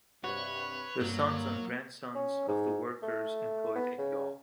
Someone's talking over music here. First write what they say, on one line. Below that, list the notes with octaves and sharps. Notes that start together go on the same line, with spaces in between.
The sons and grandsons of the workers employed in Joh.
G2 C3 F#4 B4 C#5
G2 F#3 A#3
C#4
G#2
A3
B3
C#3